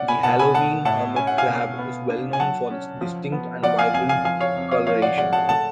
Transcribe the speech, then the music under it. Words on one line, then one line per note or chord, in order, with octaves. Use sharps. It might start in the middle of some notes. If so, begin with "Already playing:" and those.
The halloween hermit crab is well known for its distinct and vibrant coloration.
Already playing: C#4 D5 F#5
G#5 B5
B2 F#5 A5
G#5 B5
A3 F#5 A5
A2 F#5 A5
C#4 G#5
F#5
F5 G#5
B2
B3
D4
G#5
F#3 F#5 A5
C#4
F3
B3
F3 D5 F#5
F5 G#5
F2 F5 G#5
F5 G#5
F3 F5 G#5
C#5 F5
F2
C#5 F5
F3 C#5 F5
D5 F#5
G#3 D5 F#5
F#5 A5
A3 F#5 A5